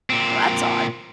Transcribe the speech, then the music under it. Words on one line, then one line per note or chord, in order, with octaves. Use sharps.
Well, that's odd.
A#2 C4